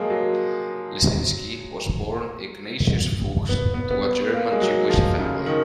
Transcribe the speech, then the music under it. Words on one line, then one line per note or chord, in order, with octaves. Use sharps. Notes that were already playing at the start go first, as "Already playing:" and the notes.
Lisinski was born Ignatius Fuchs to a German Jewish family.
Already playing: F3 F#3 G#3 A#3
F#3
B3
B3
B3
A#3
G#3
F#3
F3
C#3
D#3